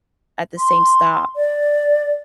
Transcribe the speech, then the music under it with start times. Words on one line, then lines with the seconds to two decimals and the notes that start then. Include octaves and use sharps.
at the same stop,
0.58 C6
1.36 D5